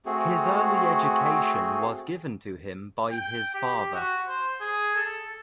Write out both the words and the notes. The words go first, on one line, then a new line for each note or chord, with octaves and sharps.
His early education was given to him by his father.
A3 C4 F#4 G#4
G5
G4
F#4
C5
G#4
A4